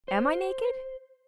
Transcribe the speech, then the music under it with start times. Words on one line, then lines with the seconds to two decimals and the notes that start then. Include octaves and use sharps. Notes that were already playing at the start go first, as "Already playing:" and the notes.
'Am I naked?
0.08 C5